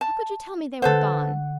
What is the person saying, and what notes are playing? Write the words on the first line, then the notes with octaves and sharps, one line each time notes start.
How could you tell me they were gone?
A5
D3 A4 B4 C5 F#5